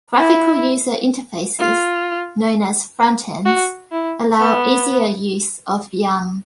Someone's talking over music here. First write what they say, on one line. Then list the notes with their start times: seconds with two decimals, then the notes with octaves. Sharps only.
Graphical user interfaces, known as "front-ends", allow easier use of yum.
0.18 E4
1.59 F4
3.45 F#4
3.92 E4
4.39 B3